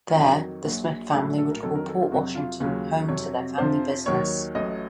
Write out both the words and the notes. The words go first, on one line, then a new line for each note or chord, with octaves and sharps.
There, the Smith family would call Port Washington home to their family business.
F4
F2 D#3 F#3 F#4
A#1 A#2 F#3 F#4
A#1 A2 F#3 A4
A4
A#4
F2 D#3 F#3 A4
A#4
A4
F4
F2 C3 F#3 F#4
F4
D#2 C#3 F#3 F4
F2 C3 F#3 C#5
F2 C3 F3 C5
D#2 D#3 F#3 C#5
A1 A2 F#3 D#5